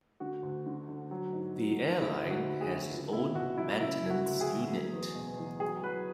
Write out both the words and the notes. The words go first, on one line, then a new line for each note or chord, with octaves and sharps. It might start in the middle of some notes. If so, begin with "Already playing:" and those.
The airline has its own maintenance unit.
D3 F#4
D2
D3
D3
F#3
G#2
G#2
G#2
D2 E4
D2
F#4
D2
G#4
D3
C#2
B2 E4
B2 F#4
F#3 E4
C#3 E4
C#3
F#4
D2
G#4
D2
F#3
E2
B2
E2
F#3 G#4
F#3 B4